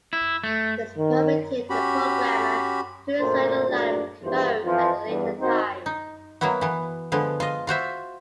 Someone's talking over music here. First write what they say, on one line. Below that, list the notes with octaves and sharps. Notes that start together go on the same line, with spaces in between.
This permitted the programmer to insert a line of code at a later time.
E4
A3
D#3
C#4 F#4 G4 B5
D2 A#2 D3 C5
A#1 A2 F#3 D4
A#1 E2 G2 E3 C5
F2 E3 F3
E2 G2
D#3 C4 D#4 F#4 C5
D#4
F#3 A#3 B3 E4 F#4
E3 B3
D3 F3 G#3 B3
F4 D#5
F4 F#4 C5 E5